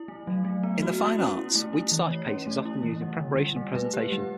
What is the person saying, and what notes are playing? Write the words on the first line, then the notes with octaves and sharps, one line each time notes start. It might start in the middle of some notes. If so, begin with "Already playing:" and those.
In the fine arts, wheat starch paste is often used in preparation and presentation.
Already playing: E4
A3
F#3
A3
B3
F#4
E4
C#4
E4
A3
E4
E3
C#5
C#4
A3
E4
E3
G3
D3
G3
A3
B4
G4
G3